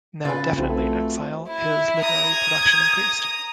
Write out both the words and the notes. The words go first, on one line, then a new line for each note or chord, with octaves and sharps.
Now definitively an exile, his literary production increased.
C#3 C#4 F4 B4 G#5 A6
B1 A3 C4 F#4
E4
A#5 D#6
G#6